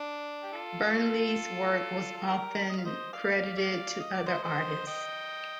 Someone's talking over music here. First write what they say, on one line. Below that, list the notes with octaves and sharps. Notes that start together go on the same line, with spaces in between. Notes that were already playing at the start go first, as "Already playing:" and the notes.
Burnley's work was often credited to other artists.
Already playing: D4
G4
F4 A4
A4
G4 A#4
D#5
F5
C5 D#5
D5 F5
D5 F5
D#5
D5
C5 D#5
C5 D#5
D#5 G5